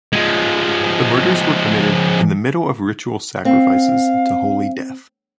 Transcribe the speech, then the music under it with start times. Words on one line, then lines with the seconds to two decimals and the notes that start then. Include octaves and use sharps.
The murders were committed in the middle of ritual sacrifices to Holy Death.
0.13 F3 G#3
3.45 C4 F5